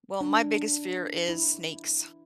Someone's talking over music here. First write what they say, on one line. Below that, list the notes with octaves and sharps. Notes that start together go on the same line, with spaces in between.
well, my biggest fear is snakes.
D4
E4